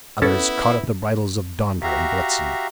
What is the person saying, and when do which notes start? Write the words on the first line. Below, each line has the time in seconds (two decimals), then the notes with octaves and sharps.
Others caught at the bridles of Donder and Blitzen.
0.22 B3 C#4 E4 A4 A5
1.82 F#4 G4 E5 F5 A#5